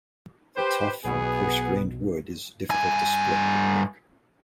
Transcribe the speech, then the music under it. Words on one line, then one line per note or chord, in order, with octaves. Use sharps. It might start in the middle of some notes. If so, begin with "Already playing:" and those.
The tough and coarse-grained wood is difficult to split and work.
G4 B4 C5
B1 B2 B3 G#4
G2 G#5